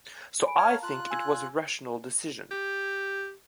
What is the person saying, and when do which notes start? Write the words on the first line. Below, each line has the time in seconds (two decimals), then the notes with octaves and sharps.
So I think it was a rational decision.
0.46 G#5 B5 D7
0.58 C#5 F5 A5 A#5 F6
0.83 F4 F#6
1.11 G#5 E6 G#6
2.51 G4